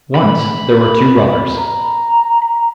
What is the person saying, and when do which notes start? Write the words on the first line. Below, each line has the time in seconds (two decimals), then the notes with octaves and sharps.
Once there were two brothers.
0.16 B5
1.58 A#5